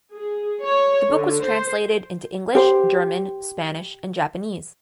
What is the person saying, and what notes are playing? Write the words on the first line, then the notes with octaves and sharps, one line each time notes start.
The book was translated into English, German, Spanish and Japanese.
G#4
C#5
D3
C5
G4 C5